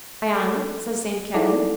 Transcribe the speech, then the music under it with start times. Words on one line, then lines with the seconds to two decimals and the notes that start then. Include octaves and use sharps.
"I am," says Saint Kavin.
0.36 A4
1.34 D#4 E4 G#4 A4 D5 D6